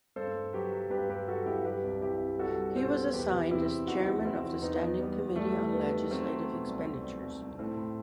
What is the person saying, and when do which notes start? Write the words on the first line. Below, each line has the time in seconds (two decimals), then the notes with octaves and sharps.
He was assigned as chairman of the standing committee on legislative expenditures.
0.16 G2 A4 C5
0.35 G2
0.53 F#3 G4 B4
0.73 F#3
0.90 G2 G4 B4
1.09 G2 G4 B4
1.28 F#3 F#4 A4
1.46 G2 E4 G4
1.65 G3 G4 B4
1.83 C2
2.02 C2 E4 G4
2.20 C2
2.39 C2 F#4 A4
2.57 G3
2.76 B2 A4 C5
2.94 B2
3.13 E2 G4 B4
3.33 C3
3.51 E2 C4 E4
3.69 E2
3.88 E2 D#4 F#4
4.07 E2
4.25 E2 C4 E4
4.44 E2
4.61 E2 B3 D#4
4.81 E2
4.99 G3 B3
5.18 E2
5.36 G3 A3
5.54 G3
5.73 E2 B3
5.93 D#3
6.10 F#3 A3 C4
6.29 F#3
6.48 B2
6.67 C2
6.85 C2
7.03 C2
7.22 C2
7.41 C2
7.59 A2 A3 C4
7.77 A2